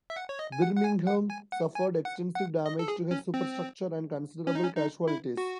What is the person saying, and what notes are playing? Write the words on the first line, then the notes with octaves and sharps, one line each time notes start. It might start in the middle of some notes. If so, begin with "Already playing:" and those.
"Birmingham" suffered extensive damage to her superstructure and considerable casualties.
E5
F#5
C#5
D#5
G#5
F#5
F#5
G#5
F#5
G#5
F#5
G#5
F#5
F#5
D#5
A4
G#4
C#4
C4
C#4
D#4
C#4
D#4
E4
F#4